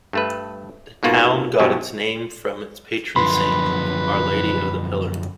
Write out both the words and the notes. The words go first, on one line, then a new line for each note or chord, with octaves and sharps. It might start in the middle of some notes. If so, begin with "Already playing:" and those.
The town got its name from its patron saint, Our Lady of the Pillar.
G2 A3 B4
G#2 B2 A#3 F4 F#4
G2 B2 E3 F#3 G4
F#2 D3 F3 B4 B5 C6